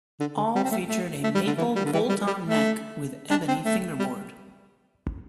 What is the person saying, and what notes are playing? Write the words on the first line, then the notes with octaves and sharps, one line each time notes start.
All featured a maple bolt-on neck with ebony fingerboard.
D3
D3
G3
C4
A3
A3
A3
G3
D3
E3
G3
D3
E3
G3
G3
A3
D4
C4
A3
G3